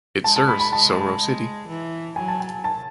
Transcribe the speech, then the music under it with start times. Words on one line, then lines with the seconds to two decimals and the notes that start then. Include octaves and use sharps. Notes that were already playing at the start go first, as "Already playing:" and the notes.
It serves Soro city.
0.24 G#3 A5
0.36 A5
0.48 B5
0.60 B5
0.73 G#3 A5
1.21 G#3
1.68 E3
2.16 F#3 G#5
2.28 A5
2.40 G#5
2.64 A5